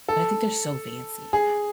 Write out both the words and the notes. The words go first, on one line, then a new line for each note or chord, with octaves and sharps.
but I think they're so fancy.
A4
G#4